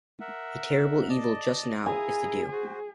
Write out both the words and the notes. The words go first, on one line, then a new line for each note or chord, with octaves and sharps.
A terrible evil just now is the dew.
A#4 E5 F#5
D5 D#5 A5
E4 G#4 G#5 A#5 D#6
F#4 C5